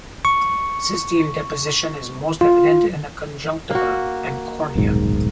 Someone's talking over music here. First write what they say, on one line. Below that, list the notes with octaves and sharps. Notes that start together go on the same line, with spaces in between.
Cysteine deposition is most evident in the conjunctiva and cornea.
C#6
F4
A#3 F#4
D#1 B1 G#2